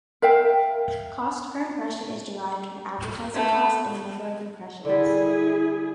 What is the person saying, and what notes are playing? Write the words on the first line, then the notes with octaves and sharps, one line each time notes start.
Cost per impression is derived from advertising cost and the number of impressions.
A#4 E5 F5 G5
A3
D3 G3 E4 G#4